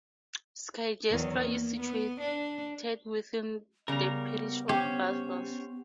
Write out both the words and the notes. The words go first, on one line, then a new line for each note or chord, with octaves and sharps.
Skigersta is situated within the parish of Barvas.
E2 D#3 F#3
A#3
B3
D4
C#3 G3 B3 A#4 A#5
C#4 G4 C5 C#5